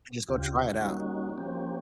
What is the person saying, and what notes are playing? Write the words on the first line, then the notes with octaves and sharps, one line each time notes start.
just go try it out.
D2 C#3 F4 G4
G3 A#3 C#4 D#4 F#4
F3 A#3 C4 C#4 G4